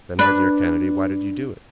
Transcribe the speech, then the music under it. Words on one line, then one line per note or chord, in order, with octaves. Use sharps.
"Then, my dear Kennedy, why did you do it?"
D4 B4